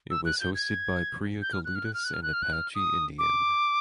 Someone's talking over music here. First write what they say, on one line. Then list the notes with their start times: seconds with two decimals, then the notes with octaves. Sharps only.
It was hosted by Preeya Kalidas and Apache Indian.
0.11 E6
0.25 F#6
0.40 G6
0.55 G#6
1.42 G6
1.53 F6
1.65 F#6
1.75 F6
1.85 F#6
1.94 F6
2.04 F#6
2.13 F6
2.23 F#6
2.33 F6
2.42 F#6
2.53 F6
2.75 D#6
3.19 D6